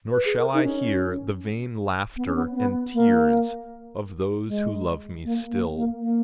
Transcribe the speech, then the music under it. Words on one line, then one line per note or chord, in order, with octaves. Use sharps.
Nor shall I hear the vain Laughter and tears of those who love me still.
B4
G#4
A#4
D#4
C#4
B3
C#4
B3
B3
A#3
G#3
A#3
A#3
A#3
A#3